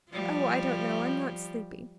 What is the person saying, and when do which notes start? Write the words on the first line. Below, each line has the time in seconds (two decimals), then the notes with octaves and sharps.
"Oh, I don't know, I'm not sleepy."
0.11 F3 G3